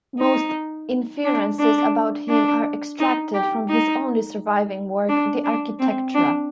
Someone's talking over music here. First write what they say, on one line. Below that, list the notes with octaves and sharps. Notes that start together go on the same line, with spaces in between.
Most inferences about him are extracted from his only surviving work "De Architectura".
D#4
D4
D4
D4
D#4
G4
D#4
D4
D4
C4
D4